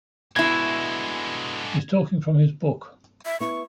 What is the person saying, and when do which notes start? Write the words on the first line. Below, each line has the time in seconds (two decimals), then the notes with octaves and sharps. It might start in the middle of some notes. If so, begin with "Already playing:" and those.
He's talking from his book.
0.36 B2 D3 G#3 E4 G#6
3.25 E5
3.40 B3 E4 C#6